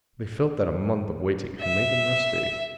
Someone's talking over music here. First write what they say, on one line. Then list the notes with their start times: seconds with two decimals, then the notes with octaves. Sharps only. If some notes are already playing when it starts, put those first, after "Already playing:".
They felt that a month of waiting had made them rusty.
1.62 E5